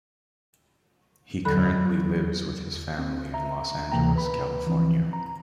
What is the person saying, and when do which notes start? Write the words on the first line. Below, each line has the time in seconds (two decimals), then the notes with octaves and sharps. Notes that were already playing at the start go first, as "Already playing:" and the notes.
He currently lives with his family in Los Angeles, California.
1.45 E2 D3 F#3 A4 B5 F#6
2.99 C4
3.34 E5 A#5
3.92 D2 C3 E3 A#3 G5 A#5
4.16 B4 B5
4.67 E3 F3 C4
5.13 A#5